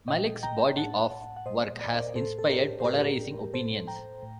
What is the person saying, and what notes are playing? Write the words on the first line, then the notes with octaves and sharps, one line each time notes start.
Malick's body of work has inspired polarizing opinions.
A#2 D#5 G5
G5 A#5
G5
A2 F#5 A5
F#5
A#2 C5 D#5
D5
D#5
A#4 D5
A2 A4 C5
A4
G4 A#4
C5
A2 G4 A#4
A2 A4 C5
G5 A#5
A2